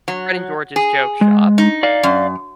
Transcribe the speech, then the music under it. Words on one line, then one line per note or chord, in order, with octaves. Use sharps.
Fred and George's joke shop,
F#3
G#4
G#3
D#4
D5 F5
F#2